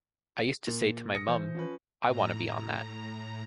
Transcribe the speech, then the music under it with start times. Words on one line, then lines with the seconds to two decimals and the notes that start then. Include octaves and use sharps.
I used to say to my mum: I wanna be on that!
0.67 A#2
1.15 D#6 A#6 C#7
1.28 E3 C5
1.55 F3 C#4 B4
2.06 A2 A#5